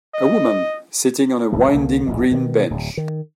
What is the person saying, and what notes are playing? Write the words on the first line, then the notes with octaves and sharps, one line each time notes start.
A woman sitting on a winding green bench.
D#5
D1 C2 A3
C2 D3 A#3
D1 A#1 B2
B2 D#3 F3 B3
D1
D#3